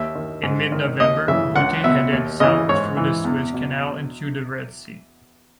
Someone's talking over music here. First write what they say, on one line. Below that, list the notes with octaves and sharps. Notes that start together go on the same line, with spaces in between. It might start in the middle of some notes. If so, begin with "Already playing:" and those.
In mid-November, "Butte" headed south through the Suez Canal into the Red Sea.
Already playing: D#2 E5
D#3
G#2
D#3
D#2 D#5
C#3 E3 E5
C#2 F#5
B2 E5
D#2
C#3 E3 D#5
G#2 C#5
E3
E2
B2